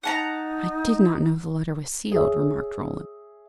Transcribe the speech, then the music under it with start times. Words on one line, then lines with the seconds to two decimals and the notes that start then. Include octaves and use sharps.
"I did not know the letter was sealed," remarked Roland.
0.03 D#4 F#5 A5 A#5
2.12 G#4 C#5 E5